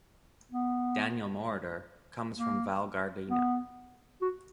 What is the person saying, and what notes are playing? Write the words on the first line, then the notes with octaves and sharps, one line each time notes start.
Daniel Moroder comes from Val Gardena.
B3
A#3
B3
F#4